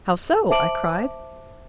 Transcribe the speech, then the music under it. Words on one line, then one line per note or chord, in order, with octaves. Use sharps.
"How so?" I cried.
C5 E5 A5 D6 D7 F#7